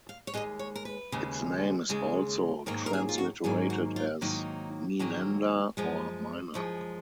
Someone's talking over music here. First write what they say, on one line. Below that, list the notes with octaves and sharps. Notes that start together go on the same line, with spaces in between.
Its name is also transliterated as "Meenanda" or "Mina".
F5
C#5
D#2 C#3 G#3 D#5
C#5
A#4
B4
D#2 C#3 G#3
D#2 C#3 G#3
G#2 D#3 F#3 A#3 A#4
A#4
G#4
F4
F#4
G#2 D#3 F#3 A#3 G#4
F#4
F4
G#2 D#3 F#3 A#3 D#4
G#2 D#3 F#3 A#3
F#2 F3 G#3
F#2 F3 G#3